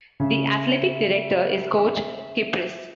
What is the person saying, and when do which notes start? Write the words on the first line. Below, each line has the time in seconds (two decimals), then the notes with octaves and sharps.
The athletic director is Coach Kypriss.
0.20 C#3 E5